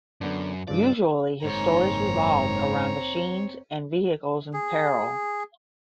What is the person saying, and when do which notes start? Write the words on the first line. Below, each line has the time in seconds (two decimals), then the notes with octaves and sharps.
Usually his stories revolved around machines and vehicles in peril.
0.21 F#2 D3 B3 D4
0.67 G2 C#3 F3 D5
1.44 F#1 G#2 D#3 C4 C#5 A#5
4.53 G#4